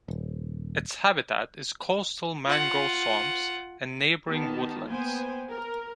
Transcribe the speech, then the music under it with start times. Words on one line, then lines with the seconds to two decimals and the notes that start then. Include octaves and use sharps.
Its habitat is coastal mangrove swamps and neighbouring woodlands.
0.08 D#1
2.46 F4 F#5
4.28 D#3 B3 D#4 G4 A5
4.88 A#3 B3 C5 G5 G#5
5.50 A#4